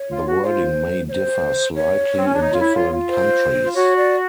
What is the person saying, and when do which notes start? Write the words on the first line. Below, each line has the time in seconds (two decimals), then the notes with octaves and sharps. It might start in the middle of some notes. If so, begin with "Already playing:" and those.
The wording may differ slightly in different countries.
Already playing: C#5
0.10 F4
0.26 F#4
0.43 F4 C5 C#5
1.09 C#5
1.12 C5
1.75 C#5
2.17 C4
2.25 C#4
2.33 D4
2.41 D#4
2.53 F4
2.59 E4
2.75 F4
2.92 F4
3.08 C5
3.64 F4
3.74 F#4 C#5
3.96 D5